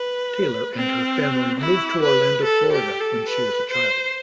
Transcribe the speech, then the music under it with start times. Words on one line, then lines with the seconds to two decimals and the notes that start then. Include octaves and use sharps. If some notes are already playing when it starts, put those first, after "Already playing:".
Taylor and her family moved to Orlando, Florida when she was a child.
Already playing: B4
0.76 C4
1.60 E4
2.02 B4
2.44 A4
2.73 G4
3.00 A4
3.28 B4
3.71 C5